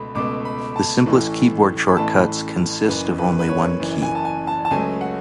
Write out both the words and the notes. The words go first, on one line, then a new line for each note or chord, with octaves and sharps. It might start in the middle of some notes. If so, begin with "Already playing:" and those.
The simplest keyboard shortcuts consist of only one key.
Already playing: C#2 B2 A3 B5
C#2 B2 A3 D6
B5
A5
A1 A2 E3 A3
B5
A1 A2 E3 A3 A5
F#1 F#2 E3 B4
B4
B4
C#5
F#1 F#2 E3
G#5
A5
G#5
A5
A5
C#2 C#3 F#3 A3 G#5
F#5